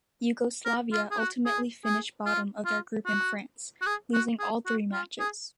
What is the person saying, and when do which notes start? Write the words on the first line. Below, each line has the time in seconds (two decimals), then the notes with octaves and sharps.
Yugoslavia ultimately finished bottom of their group in France, losing all three matches.
0.66 A#4
0.93 F4
1.11 G#4
1.19 F#4
1.46 G#4
1.86 G#4
2.26 F4
2.66 F4
3.06 F#4
3.82 F#4
3.86 G#4
4.14 F#4
4.40 G#4
4.66 F#4
4.93 F4
5.20 G#4